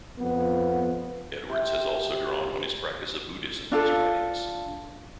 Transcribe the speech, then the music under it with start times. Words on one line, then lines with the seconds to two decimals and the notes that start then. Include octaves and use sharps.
Edwards has also drawn on his practice of Buddhism in his writings.
0.18 F2 B3
1.49 C3
3.72 D4 F4 A4